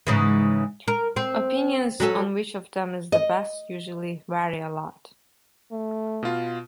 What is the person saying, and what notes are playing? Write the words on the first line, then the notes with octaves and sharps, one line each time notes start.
Opinions on which of them is the best usually vary a lot.
G#2 C#3 E3
A#4
C4
F#3 C#4 A4
D#5
A3
B2 F4